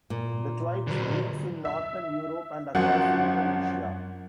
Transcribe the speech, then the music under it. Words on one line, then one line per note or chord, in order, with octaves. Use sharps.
The twite breeds in northern Europe and across central Asia.
A#2
D3 F#3
E5
G#1 F#2 F3 F#5